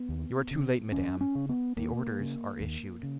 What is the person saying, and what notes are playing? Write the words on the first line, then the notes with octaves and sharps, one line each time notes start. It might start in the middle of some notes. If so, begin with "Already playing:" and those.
"You are too late, madame; the orders are issued."
Already playing: B3
D#2
C#3
D#2 C#4
C#4
C#3
B3
D#2 A#3
C#3
D#2
C#3